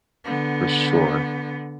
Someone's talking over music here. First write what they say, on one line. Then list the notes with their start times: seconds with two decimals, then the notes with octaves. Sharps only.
For sure.
0.24 D3 B3